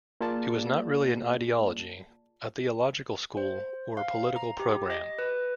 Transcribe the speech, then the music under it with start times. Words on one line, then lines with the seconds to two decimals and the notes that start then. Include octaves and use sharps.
It was not really an ideology, a theological school, or a political programme.
0.21 A#3 F4 G#4 D5 A5
3.37 C5
3.97 F5
4.36 A#5
4.60 G4
4.90 D#5
5.19 B4